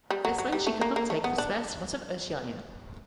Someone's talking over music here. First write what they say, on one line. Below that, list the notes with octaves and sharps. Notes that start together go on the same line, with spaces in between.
This meant she could not take the spare slot of Oceania.
G3
F#3
F#3
G3
A3
A#3
A#3
A3
B3
D4